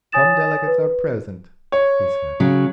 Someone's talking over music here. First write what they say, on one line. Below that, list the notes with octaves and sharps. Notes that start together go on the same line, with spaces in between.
"Some delegates are present," he said.
C#5 G#5 D#6 A6 E7
B4
C#5
C#3 F#3